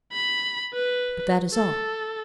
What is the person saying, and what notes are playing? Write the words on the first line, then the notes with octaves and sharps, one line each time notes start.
But that is all.
B5
B4
A4